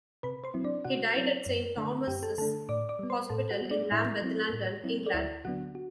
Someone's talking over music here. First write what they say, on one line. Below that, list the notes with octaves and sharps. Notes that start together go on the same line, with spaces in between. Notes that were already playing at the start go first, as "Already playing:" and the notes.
He died at Saint Thomas's Hospital in Lambeth, London, England.
C3 B4 B5
C5 C6
F#3 C4 E4
D4 D5
C3 F#4 F#5
F#3 C4 E4
F#2
D3 A3 D4
F#2 G4 G5
A4 A5
D3 A3 D4 A4 A5
A2 D5 D6
D5 D6
G3 B3
C5 C6
A2 A4 A5
F#4 F#5
G3 B3
D4 D5
A2 E4 E5
F#3 C4 E4
A2
F#3 C4 E4
D5
D2 E4 E5
D3 F#3 B3 D4 F#4 F#5
F#4